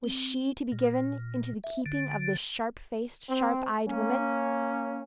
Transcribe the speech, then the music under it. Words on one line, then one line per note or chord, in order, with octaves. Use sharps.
Was she to be given into the keeping of this sharp-faced, sharp-eyed woman?
C4
A#2
E5
D3
C4
A#3 C#4